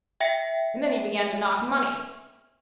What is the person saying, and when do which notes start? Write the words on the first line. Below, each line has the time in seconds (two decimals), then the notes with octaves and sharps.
And then he began to knock money.
0.20 E5 G5 A#6 C#7